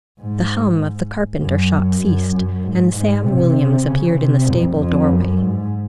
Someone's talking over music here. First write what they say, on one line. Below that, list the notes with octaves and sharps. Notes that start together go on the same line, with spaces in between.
The hum of the carpenter shop ceased, and Sam Williams appeared in the stable doorway.
G#2
F#2
F#2
F#2
G#2
G#2
C3
C#3
C3
F2
F2
F#2
G#2